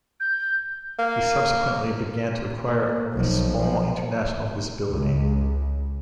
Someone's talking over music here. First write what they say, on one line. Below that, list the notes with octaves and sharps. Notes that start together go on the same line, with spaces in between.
He subsequently began to acquire a small international visibility.
G6
A#3
A#3
B1 F3
F3
C#2